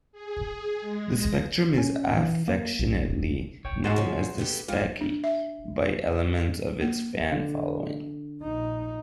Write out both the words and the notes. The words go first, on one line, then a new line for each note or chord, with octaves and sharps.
The Spectrum is affectionately known as the "Speccy" by elements of its fan following.
G#4
G#3
A#6
C#4
E3
A#3
B1
E1
C#5 G5
D#4 F#4 G#4 C5 F#5 A5
C#3 F3
A3 B3 G4
G3 G#3 C4 F4
D4
E5
A#3
D3
A#1 D#4